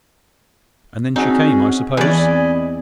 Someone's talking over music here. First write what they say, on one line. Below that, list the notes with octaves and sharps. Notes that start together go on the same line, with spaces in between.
"And then she came, I suppose."
C4 C#4 D#4 F#4 G#4
E2 D5 D#5 G#5 B5